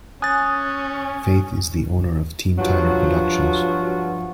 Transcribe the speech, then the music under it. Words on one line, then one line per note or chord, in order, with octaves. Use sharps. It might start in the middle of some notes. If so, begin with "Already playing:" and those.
Faith is the owner of Team Tyler Productions.
C#4 G#5 D#6 F#6 A6
G2 F3 F#3 F#4